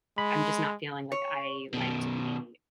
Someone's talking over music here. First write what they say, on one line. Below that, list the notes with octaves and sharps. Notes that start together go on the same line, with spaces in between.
I'm just not feeling, like, I, like, to be
G#3 B5
C#5
B2 D#3